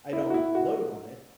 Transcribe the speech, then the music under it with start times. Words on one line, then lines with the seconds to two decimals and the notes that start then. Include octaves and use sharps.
I don't gloat on it,
0.13 E4
0.30 F#4
0.34 E4
0.55 F#4